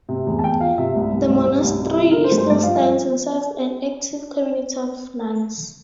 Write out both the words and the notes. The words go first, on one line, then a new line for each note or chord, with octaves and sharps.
The monastery still stands and serves an active community of nuns.
C3
E2
A5
E2 G5
F3 F5
C3 E5
C2
C2
C2
C2
C2
C3
F3
D3 A#4
C5
G2
C5
G2 D5
F5
F3
F5